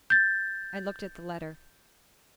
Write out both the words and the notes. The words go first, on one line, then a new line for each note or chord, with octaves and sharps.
I looked at the letter.
G6 A6